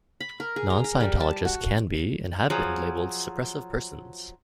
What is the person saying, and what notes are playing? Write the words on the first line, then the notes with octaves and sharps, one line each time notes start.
Non-Scientologists can be and have been labelled Suppressive Persons.
B5
A#4
G#4
A#5
A#4
G3
A5
F#4
F3 F#3 G#4